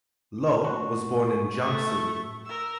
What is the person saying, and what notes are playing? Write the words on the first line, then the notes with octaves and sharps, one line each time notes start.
Loh was born in Jiangsu.
A2 F#4
A3 C#6
A#4 E6